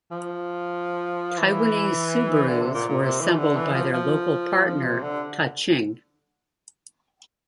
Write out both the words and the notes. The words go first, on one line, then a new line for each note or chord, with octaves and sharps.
Taiwanese Subarus were assembled by their local partner Ta Ching.
F3
E3
D3
C3
A#2
A#2
C3
E3
D3
E3
F3
F3
F3
C3
D3